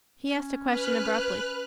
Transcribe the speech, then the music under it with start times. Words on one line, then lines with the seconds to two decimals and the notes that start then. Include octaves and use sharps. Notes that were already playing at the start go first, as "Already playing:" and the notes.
He asked a question abruptly.
0.27 C#4
0.69 B4 F6 F#6